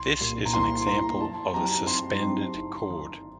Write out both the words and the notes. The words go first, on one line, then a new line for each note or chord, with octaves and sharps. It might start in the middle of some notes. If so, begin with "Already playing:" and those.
This is an example of a suspended chord.
Already playing: C2 C6
A#2 G3 A#3
A#5
C2 C6
A#2 G3 A#3 A#5
F#2 A5
F#3 C4 D#4 G4 A#5
F#2 C6
F#3 C4 D#4 G4
G1
F#2 D#3